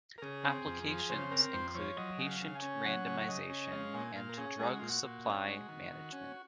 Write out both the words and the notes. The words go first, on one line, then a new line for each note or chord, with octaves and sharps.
Applications include patient randomization and drug supply management.
A#4
C#3 G#4
C4
F2
F3
C#3 C5
C4 A#4
F2 C5
F3 C#5
F#3 D#5
C#3
F5
C#3
G#5
C#4
F#3 F#5
C#3
C#5
C#3 D#5
C#4
G#3 F5
A#2 G#5
A#2 F5
A#4
C#4 G#4
G#3 G#4
F#4
A#2 F4
F#4
A#2
C#4
G#3
D#3
D#3
C#4